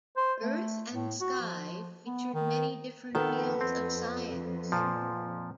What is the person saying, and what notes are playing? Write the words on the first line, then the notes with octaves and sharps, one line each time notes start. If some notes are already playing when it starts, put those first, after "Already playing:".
"Earth and Sky" featured many different fields of science.
C5
A3
A2
F#4
F3
B3
D#3
F2 D#3 B3 A4
C4
A#2 F3